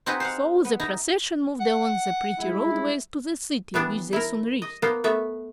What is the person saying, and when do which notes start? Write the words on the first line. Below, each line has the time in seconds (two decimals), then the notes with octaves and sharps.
So the procession moved along the pretty roadways to the City, which they soon reached.
0.06 C4 D#4 F#4 G#4 B4
0.20 C5 F5 F#5
0.65 B3
0.80 D#4 E4 A#5
1.60 F#5
2.39 G3 G#3 E4
3.74 E3 G3 B3 D4
4.13 E4 A#4
4.62 D#5
4.82 A#3 B3 C5 F5
5.04 A3 B3 E5